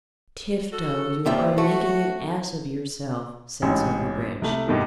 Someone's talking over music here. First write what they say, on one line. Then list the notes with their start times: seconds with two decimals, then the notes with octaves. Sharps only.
"Tifto, you are making an ass of yourself," said Silverbridge.
0.73 F#4 A4
1.26 A#2 F3 G3 E5
1.58 A3 F#4
3.62 A1 G#2 C#3
4.42 C2 A3
4.68 G2 B2 D#3